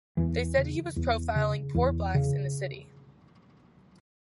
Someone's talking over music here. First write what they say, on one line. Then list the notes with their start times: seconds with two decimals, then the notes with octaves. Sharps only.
They said he was profiling poor blacks in the city.
0.17 E2 E3
0.57 C#3
0.96 E2
1.36 C#3
1.75 E2
2.15 C#3